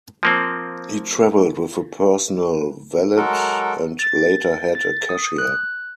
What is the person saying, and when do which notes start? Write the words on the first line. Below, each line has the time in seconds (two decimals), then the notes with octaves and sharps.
He travelled with a personal valet and later had a cashier.
0.23 F3 A#3 C4
3.17 F#3 G#3 F#4 A4 A#4
3.99 A6
4.75 A6
5.09 D#6
5.38 F#6